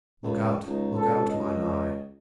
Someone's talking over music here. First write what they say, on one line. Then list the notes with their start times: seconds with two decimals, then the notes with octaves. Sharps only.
Look out, look out, mine eye!
0.23 C#2
0.67 C#2 D#4
0.96 A4
1.31 D#5